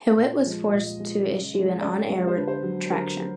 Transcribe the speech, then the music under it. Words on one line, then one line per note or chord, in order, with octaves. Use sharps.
Hewitt was forced to issue an on-air retraction.
A#2
F3 G#3
A#2 D#5
F3 G#3
C#3
F3 G#3
C#3 D5
C#5
F3 G#3
C#5
C5
D3 B4
C5
F#3
D3 A#4
F#3